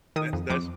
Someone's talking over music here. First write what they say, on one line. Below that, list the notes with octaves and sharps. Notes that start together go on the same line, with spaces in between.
That's, that's
D#3 D#6
F2
F2 D6